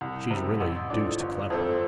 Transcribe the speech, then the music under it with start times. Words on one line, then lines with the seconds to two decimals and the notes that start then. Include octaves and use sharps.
She's really deuced clever.'
0.01 C2
0.30 C3 G3
0.60 A1
0.90 A2 F3 D4
1.20 G1
1.50 F2 F3 C4 A4